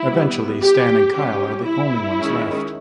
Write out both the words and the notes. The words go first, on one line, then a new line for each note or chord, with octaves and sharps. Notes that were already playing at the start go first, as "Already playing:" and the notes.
Eventually, Stan and Kyle are the only ones left.
Already playing: E4
G3 B3
G4
G3 C#4 G4
E4
D#3 G#3 C#4